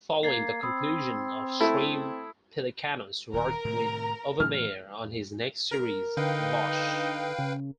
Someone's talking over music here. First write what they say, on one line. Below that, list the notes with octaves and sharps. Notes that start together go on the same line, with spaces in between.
Following the conclusion of "Treme" Pelecanos worked with Overmyer on his next series "Bosch".
A#3 G#6 A6 C7
C4 B5 D#6 E6
A3 E4
D#1 D#3 A#4
A2 C3 D#3
A2 E3 F#3 F6
A#4
D3 D#4 B4 F5 G5
C#3